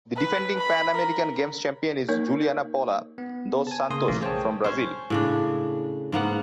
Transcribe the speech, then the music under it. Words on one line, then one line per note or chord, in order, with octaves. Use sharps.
The defending Pan American Games champion is Juliana Paula dos Santos from Brazil.
B4
B5
A#4
A#3 D#4 A#4 C#5
B3
G#5 A5
C#3 A#3 C6 D#6
B1 E3 A3 A#3
G#4 C5 C#5 G5 A5
C#4 C5
A2 C#3 D4
G#2 A#3 B3 F#5